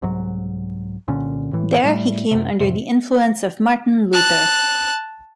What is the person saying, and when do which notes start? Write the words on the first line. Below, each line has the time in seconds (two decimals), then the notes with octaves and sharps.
There he came under the influence of Martin Luther.
0.02 C2 G#2 F#3
1.08 C2 A#2 D3 C#4
1.52 A1 A2 E3
1.84 A2 G3 A3
2.31 F#2 C3
2.60 F2 A2 C3
4.13 A5 F#6